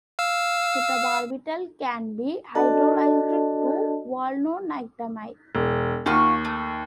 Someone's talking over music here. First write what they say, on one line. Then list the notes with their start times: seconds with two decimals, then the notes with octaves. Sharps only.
Butabarbital can be hydrolyzed to Valnoctamide.
0.19 F5 E6
2.55 D4 F#4 A4 D5 D#5 A5
5.55 E1
6.06 D#2 F4 F#4 C#6
6.45 A3